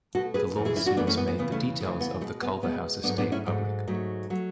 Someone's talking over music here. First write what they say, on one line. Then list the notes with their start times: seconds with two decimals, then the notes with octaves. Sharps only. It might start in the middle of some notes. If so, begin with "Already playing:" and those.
The lawsuits made the details of the Culverhouse estate public.
0.15 B2 F#4 A4
0.17 A3
0.34 G#4 B4
0.56 F#2 E3 A3
0.65 E4 G#4
0.76 C#4 E4
0.86 D4 F#4
0.96 F#2 E3 A3 B3 D4
1.07 A3 C#4
1.17 B3
1.28 B3
1.38 E2 C#3 E3 B3
1.52 A3 C#4
1.80 E2 C#3 E3 A3
2.00 B3
2.21 B2 A3
2.25 G#3
2.42 B3
2.62 B2 G#3 B3
3.04 G#2 F#3 A3 B3 D4
3.18 B3 D4
3.32 C#4 E4
3.46 G#2 F#3 A3
3.87 G#2 F#3 A3
4.30 F#3 A3